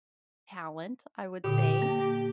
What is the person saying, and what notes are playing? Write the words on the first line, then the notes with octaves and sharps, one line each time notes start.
talent, I would say,
A#2 D3 G4
A#3